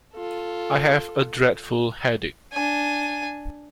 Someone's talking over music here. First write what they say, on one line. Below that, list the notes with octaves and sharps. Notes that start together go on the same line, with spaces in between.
I have a dreadful headache.
F4 A4
D4 G#5